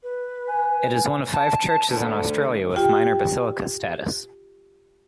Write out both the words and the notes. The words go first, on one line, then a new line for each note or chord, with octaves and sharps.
It is one of five churches in Australia with minor basilica status.
B4
G#5
A5
D2
F4 G4 G5